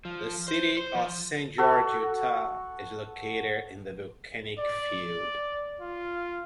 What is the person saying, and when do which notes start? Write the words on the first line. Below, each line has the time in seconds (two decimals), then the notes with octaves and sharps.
The city of Saint George, Utah is located in the volcanic field.
0.05 F3
0.48 C5
0.77 C5
0.95 F3
1.58 F#4 A4
4.59 D5
5.80 F4